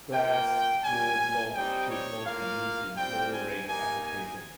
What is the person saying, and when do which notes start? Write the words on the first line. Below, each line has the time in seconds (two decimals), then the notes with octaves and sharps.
Glass wall blocks should not be used in flooring applications.
0.12 A#3 F4 G5
0.82 G3 C#4 G4 G#5
1.54 G3 C4 D#4 G4 G5
1.89 C#5
2.25 A#3 F4 F5
2.96 G3 C4 F4 G5
3.32 G#5
3.67 A#3 D#4 G4 G#5
4.02 G#5